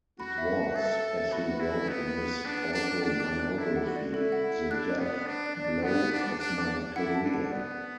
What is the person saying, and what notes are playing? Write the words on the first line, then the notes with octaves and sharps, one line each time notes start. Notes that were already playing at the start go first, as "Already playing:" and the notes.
It was as he wrote in his autobiography "the death blow of my career".
F#4 B5
E5
E5
A4 E5
E6
E5
F#4 B5
B4
E4
B4
B3 B4
B5
B4
D4 F#5
F#5
D4
D6
D4 F#5
D6
F#6
E4 A4
F#5
F#4
D5
E4 A4
F#5
F#5
D4 F#6
D5
B3
D5
D4 D5
D5
D4
D5
B3 F#5
F#5
D4
D6
D4 F#6
D6
D6
E4 F#5
A5
D4
F#5
B3 D5
F#5